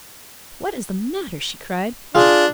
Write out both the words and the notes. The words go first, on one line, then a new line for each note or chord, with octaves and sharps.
"What is the matter?" she cried.
D4 F4 G#4